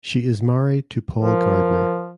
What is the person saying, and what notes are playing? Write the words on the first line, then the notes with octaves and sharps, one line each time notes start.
She is married to Paul Gardner.
F3 A#4